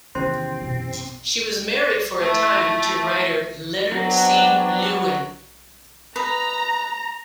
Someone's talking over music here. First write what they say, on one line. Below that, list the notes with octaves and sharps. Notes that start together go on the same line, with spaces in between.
She was married for a time to writer Leonard C. Lewin.
E2 C3 D#3 C4 C#4 C5 C6
F#2 B2
A3 E4
F#3 B3 C4 D4
B4 D#5 A#5